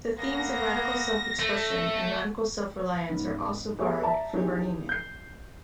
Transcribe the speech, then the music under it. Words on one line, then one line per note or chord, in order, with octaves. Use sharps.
The themes of radical self-expression and radical self-reliance are also borrowed from Burning Man.
A#3 B3 A#6
A3
G#2 C#3 B3
A3 B3 G4 G#4 C#5 E5
D5 E5 A5 A#5
E3 C#4 D#4 G4 G#4
G6 C7